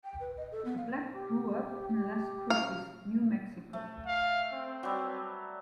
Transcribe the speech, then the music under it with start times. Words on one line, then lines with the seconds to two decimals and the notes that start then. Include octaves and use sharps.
Black grew up in Las Cruces, New Mexico.
0.04 G5
0.20 B4
0.37 D#5
0.52 A4
0.65 B3
0.77 F5
1.14 G4
2.50 C#4 F5
3.73 A3
4.06 F5
4.52 C4
4.83 F#3 G3